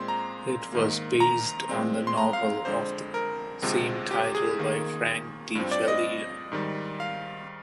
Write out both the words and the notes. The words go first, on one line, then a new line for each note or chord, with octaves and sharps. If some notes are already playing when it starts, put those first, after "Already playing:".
It was based on the novel of the same title by Frank De Felitta.
Already playing: A#2 G#3 C4 C6
A#5
G#2 D#3 A#3
A#5
A#2 G#3 C4
C6
A#5
F5
F2 D3 G#3 C5
A#4
D2 C3 F3 G#3 C4
G4
G#4
D#2 D#3 A#3
G2 F3 C4
D5
D#5
G#2 D#3 G3
F5